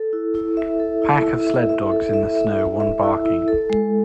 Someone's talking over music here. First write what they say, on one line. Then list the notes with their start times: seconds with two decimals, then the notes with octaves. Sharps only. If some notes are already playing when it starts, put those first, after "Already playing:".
Pack of sled dogs in the snow, one barking.
Already playing: A4
0.13 E4
0.35 E4
0.57 E5
0.80 A4
1.02 E4
1.24 E4
1.47 E5
1.69 E5
1.92 A4
2.13 E5
2.35 E5
2.59 E5
2.80 E5
3.03 E4
3.25 E4
3.48 A4
3.70 G#3